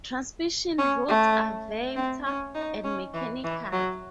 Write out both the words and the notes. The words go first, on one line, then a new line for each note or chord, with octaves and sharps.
Transmission routes are vector and mechanical.
C#4
A3
C4
C#4
D#4
C#4
E3
E3
F#3